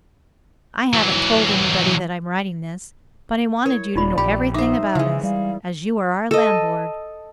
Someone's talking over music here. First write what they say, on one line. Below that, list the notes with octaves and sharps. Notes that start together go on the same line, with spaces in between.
I haven't told anybody that I am writing this, but I wanted you to know everything about us, as you are our landlord.
E3 F#3
E4 A#4 C#5
D#1 D#4 F4 D5 B5
A#1 G4 B5
D#4 C5 E5 D6
C#3 E3 G#3
G3 F5
A4 D#5